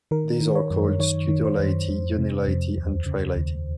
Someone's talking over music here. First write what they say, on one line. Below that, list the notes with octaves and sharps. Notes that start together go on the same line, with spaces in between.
These are called Studiolite, Unilite and Trilite.
D#3 A#4
D#3
C#5
F#2
D#3 C#5
D#3
C5
F#2
F2
C3
F2
D#2
C#3
D#2